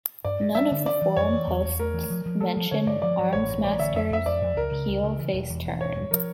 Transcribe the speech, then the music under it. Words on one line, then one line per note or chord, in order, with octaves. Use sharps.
None of the forum posts mention Armsmaster’s heel-face turn.
G2 D5
G2
G3 E5
D3
D4 D5
E3
F2 C#5
E3
E2
E2
A3 A#4
E3
F3
F3
A3 A4
F3
D3 C#5
G2 D5
F3 D5
G2
A1 C#5
G2
A1 D5
D3 E5
F2 E5
F2 E5
F2 D5
F2
C#2 A#4
C#3
C#2
C#3
E3
E1
E2
E1
G2 C#5
G2
F3 A#4